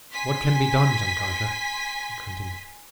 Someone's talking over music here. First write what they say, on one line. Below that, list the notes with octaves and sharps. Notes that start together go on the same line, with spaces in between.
"What can be done, John Carter?" he continued.
G#5 C6 B6